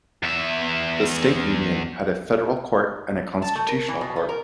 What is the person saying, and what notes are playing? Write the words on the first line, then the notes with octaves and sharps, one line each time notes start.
The State Union had a Federal Court and a Constitutional Court.
E2 E5
A5
A3
A#4
E3
B2
B3
A#4